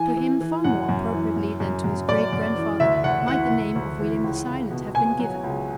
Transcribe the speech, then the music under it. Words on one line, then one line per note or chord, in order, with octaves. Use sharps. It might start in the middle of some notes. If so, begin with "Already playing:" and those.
To him far more appropriately than to his great-grandfather might the name of William the Silent have been given.
Already playing: E3 G#5
E3
E3
F#2 F#5
F#2
E3
F#2
F#2
F#2
F#2 D5
F#2
E3
D2 E5
D2 F#5
E3 F#5
D2
D2
E3
C#2
C#2
B2
B2 G#5
F#3
C#2